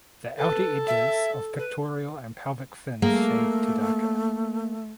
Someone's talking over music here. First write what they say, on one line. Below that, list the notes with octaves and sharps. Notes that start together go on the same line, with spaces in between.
The outer edges of pectoral and pelvic fins shade to darker.
A4 B4
E5
B4
A3 A#3 G#4